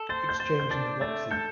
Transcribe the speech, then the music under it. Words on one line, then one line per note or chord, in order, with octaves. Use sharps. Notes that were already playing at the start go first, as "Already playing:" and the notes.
Exchange, and The Roxy.
Already playing: A4
C5 A6
G6
C5 A6
G6
D4 A6
A3 A6
A4 G6